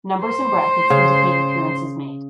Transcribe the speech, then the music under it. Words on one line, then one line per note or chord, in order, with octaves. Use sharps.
Numbers in brackets indicate appearances made.
C5
C#3